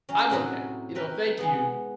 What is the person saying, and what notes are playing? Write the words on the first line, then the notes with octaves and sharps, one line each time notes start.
I'm okay." You know, "Thank you,
F#3 C#4
A2 C3 F#3 D#4 E4 F#4
C4 A#4 B4
G#3 B3